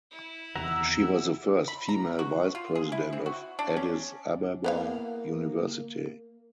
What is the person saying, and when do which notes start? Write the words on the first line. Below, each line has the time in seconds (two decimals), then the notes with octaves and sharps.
She was the first female Vice president of Addis Ababa University.
0.11 E4
0.55 E2 C3 D#3 E5 F#5 A#5 E6
1.68 B5
1.89 A#5
2.19 F#4
2.55 F4
2.75 G#4
2.92 E4
3.13 C4
3.26 F#4
3.59 D4
3.77 C#4
4.64 A#3 B3 E4 F5